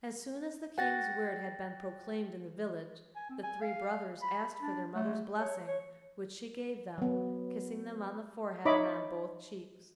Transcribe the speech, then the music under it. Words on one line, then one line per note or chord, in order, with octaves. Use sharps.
As soon as the King's word had been proclaimed in the village, the three brothers asked for their mother's blessing, which she gave them, kissing them on the forehead and on both cheeks.
F#4 G5 A6 A#6
G#5
C4
G#5
F5
B5
D4
A3
C#5
C#5
F#3 B3
D#4 C#5 D#5 E5 B5 D6